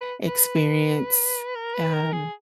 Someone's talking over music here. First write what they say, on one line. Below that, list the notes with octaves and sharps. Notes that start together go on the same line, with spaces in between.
experience, um,
B4
B4
A#4
B4
A#4
G#4